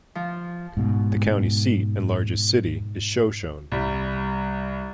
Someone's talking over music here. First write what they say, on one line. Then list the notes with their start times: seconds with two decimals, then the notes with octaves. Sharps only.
The county seat and largest city is Shoshone.
0.15 F3
0.77 G#2 B2
3.72 C2 G3